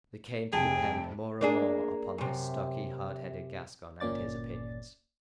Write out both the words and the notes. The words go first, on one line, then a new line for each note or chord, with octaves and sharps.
They came to depend more and more upon this stocky, hard-headed Gascon and his opinions.
F1 C3 G#4 G5 A5
A#3 D4 G#4
F#2 C3
G1 A#2 A#3 C#4 D5 A6